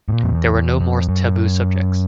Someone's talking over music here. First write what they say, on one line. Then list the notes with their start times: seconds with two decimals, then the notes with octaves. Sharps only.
There were no more taboo subjects.
0.09 A2
0.12 A#2
0.23 F2
0.33 E2
0.54 E2
0.81 F2
1.09 F#2